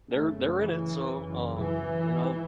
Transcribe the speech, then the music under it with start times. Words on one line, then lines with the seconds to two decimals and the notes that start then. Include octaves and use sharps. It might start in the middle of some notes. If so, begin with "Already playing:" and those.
they're they're in it. So, um, you know?
0.12 F#2 C#3 A3
0.60 E3
1.09 F#2 C#3
1.58 E3
2.06 G#2